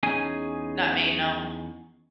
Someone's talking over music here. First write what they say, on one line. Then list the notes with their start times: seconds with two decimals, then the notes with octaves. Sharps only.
Not me, no,
0.03 E2 C#4 D#4 G#4 G#5